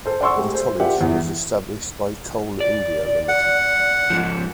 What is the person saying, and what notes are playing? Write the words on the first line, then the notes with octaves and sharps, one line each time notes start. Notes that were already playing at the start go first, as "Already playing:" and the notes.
The college was established by Coal India limited.
A4 C5
D5 F#5 C6 C#6 E6
G#3 A3 G4
C5
F4 G4 A#4 D5 E5 F#5
E2
D5
F#5
G#2 F3